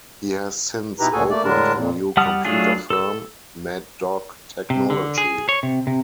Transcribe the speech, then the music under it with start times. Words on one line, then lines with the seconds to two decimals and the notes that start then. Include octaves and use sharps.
He has since opened a new computer firm, Mad Dog Technology.
1.00 B2 D#4 E4 G4 B4 A#5
1.12 D2 A#2 F#4 G#4 A4 G#5
1.30 A3 A#3 D5
1.44 A2 D3 G#3 D4 A#4 A5
1.75 F2 A#2
2.17 G3 F#5 A5 D#6 F6
2.45 F#3 A3 D4 F4 G#4
2.90 A4 E6
4.70 C3
4.90 D3
5.18 G#4
5.49 C#5
5.63 C3
5.87 C3